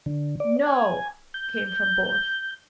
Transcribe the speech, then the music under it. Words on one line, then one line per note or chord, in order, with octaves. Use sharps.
"No," came from both.
D3
D5
G#5
G6